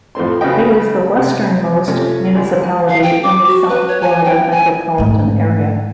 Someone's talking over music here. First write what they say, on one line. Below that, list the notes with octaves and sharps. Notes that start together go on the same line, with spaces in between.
It is the westernmost municipality in the South Florida metropolitan area.
F2 A2 C4 C6
C#3 F#4 B4 D#5 G5
C3
C3 F3 A3 C#4
C#2
F5
G5
D6
F#4
B4
C#5
G#5
G5
G#5
G#2 A3